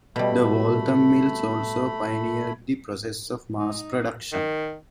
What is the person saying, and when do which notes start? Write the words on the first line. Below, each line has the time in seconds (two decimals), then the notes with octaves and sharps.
The Waltham mill also pioneered the process of mass production.
0.16 B2 G3 A3 B5
3.59 D#4
4.33 D#3